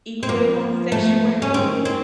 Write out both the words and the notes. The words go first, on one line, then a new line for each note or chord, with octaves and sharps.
equate homosexuality?
C4
F3 A#3
A3
C#4
D#3 C4
C4